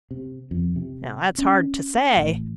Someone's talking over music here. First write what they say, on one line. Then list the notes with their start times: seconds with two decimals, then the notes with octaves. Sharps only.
Now that's hard to say.
0.11 C3
0.51 F2
0.76 C3
1.38 C#4
2.17 A1